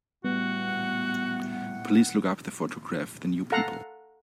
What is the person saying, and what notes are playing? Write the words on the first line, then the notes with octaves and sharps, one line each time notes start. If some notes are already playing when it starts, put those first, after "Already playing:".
Please look up the photograph, The New People.
A2 G3 A3 B3 F#4 F#5
A4 F5 F#5 A#5